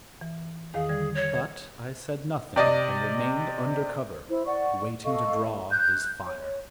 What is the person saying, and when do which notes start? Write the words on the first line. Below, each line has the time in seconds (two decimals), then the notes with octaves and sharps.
But I said nothing and remained under cover, waiting to draw his fire.
0.21 E3
0.74 E2 D#3 G#4 F5
0.89 D3 G3 G#6
1.15 C#5
2.56 C3 D5 D#5
4.30 E4 C5
4.46 D5 F#5 C#6
5.04 A4 D#5 F5 C#6
5.71 F#6 G6
6.27 C#5